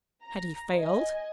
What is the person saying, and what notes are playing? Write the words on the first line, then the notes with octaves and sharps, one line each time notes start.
Had he failed?
A#5
D#5 G#5